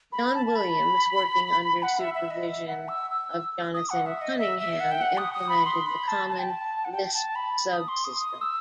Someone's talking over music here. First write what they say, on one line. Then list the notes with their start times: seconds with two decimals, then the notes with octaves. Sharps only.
John Williams, working under supervision of Jonathan Cunningham implemented the Common Lisp subsystem.
0.12 B5
0.34 A5
0.46 A5
0.55 B5
1.83 F#5
1.99 E5
2.14 E5
2.31 D#5
2.47 E5
2.68 F#5
2.88 E6
3.10 E6
3.74 D#6
3.90 F#5
4.06 E5
4.21 D#5
4.38 E5
4.59 E5
4.80 F#5
4.91 G5
5.01 F#5
5.17 D#6
5.34 D#6
5.49 B5
5.65 C6
5.86 B5
6.08 A5
6.30 A5
6.39 G5
6.50 A5
6.85 F#5
6.92 G5
7.05 G5
7.14 A5
7.35 B5
7.73 D#6
7.88 C6
8.04 D#6
8.20 D#6
8.41 E6